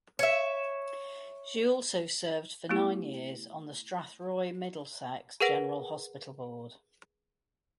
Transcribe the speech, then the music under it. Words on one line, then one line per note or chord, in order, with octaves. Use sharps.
She also served for nine years on the Strathroy Middlesex General Hospital Board.
C#5 E5
A3 B3 E4 G4
G#4 A#4 B4 F#5 A#6 D7